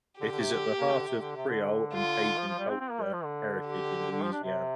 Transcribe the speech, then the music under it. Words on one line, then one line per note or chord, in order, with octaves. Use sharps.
It is at the heart of Creole and Cajun culture and heritage in Louisiana.
D3 G4
D3
C3
D3
A#3
D3
C3
D3
C3
D3
F4
F3
F3
G3
C4
C4
A#3
G3
F3
D3
G4
D3
F3
D4
C3